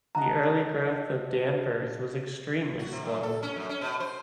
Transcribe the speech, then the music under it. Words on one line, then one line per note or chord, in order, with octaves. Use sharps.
The early growth of Danvers was extremely slow.
D#5 F#5 A5 A#5
F#4
C3
F#2
A4
C#4
F#2
C#4
B2
C5